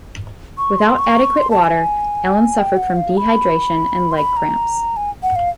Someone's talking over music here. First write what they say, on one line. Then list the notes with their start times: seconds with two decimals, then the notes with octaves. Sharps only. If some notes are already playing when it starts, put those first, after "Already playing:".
Without adequate water, Allen suffered from dehydration and leg cramps.
0.58 C#6
0.79 C6
0.99 C#6
1.37 C6
1.51 A5
1.64 G#5
2.58 G5
2.77 F#5
2.97 F5
3.17 B5
4.11 C6
4.17 B5
4.37 A#5
4.97 G#5
5.23 F#5
5.36 F5